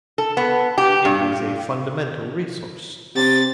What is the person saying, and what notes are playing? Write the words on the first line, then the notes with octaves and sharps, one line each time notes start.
It is a fundamental resource.
A4
B3
G4
G2
C3 A6